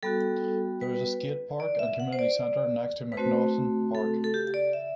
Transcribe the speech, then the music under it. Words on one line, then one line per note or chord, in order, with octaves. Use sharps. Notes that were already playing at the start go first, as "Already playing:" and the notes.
There is a skate park and community centre next to MacNaughton Park.
G3 B3 F#4 A4
B4
D5
E5
F#5
C5
D5
B4
A3 C4 F#4 C5
A4
A4
G4
D5
E5